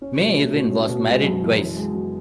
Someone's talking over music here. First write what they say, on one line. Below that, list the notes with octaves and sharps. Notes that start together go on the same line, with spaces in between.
May Irwin was married twice.
C#4
B2
A3
B2
C#4
B2
G#3
F#2
E3
F#2
G#3
F#2